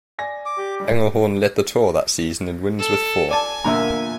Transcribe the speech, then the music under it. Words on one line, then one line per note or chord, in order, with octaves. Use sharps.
Englehorn led the tour that season in wins with four.
D5 G#5 A#6
D6
G4
G3 G#3
A4
D5 G#5 A5
E2 A#2 D3 A#3 E5 A#5